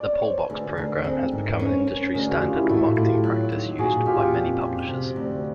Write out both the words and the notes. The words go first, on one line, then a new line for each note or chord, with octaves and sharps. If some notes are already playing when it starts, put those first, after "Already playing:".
The Pullbox Program has become an industry-standard marketing practice used by many publishers.
D5
C#5
C5
B4
D2 G#4 A#4
D2
C4 G#4 A#4
G#2
B4
C#4 A#4 C5
C#4
D2 G#4 A#4
F#4 G#4
C#3 F4 G4
E4 F#4
A2 E4 F#4
A2 F4 G4
F#3
D#2
A#2 F#4 G#4
A#2 F4 G4
F2
F2
C3
D2